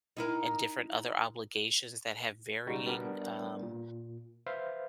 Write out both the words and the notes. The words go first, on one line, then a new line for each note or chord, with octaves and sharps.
and different other obligations that have varying, um,
D#4 E4 A#4
C#3 G3 G#3 D#4 F#4
G3 B3 D4 G4 A#4
A#2
B4 C5 E5 F5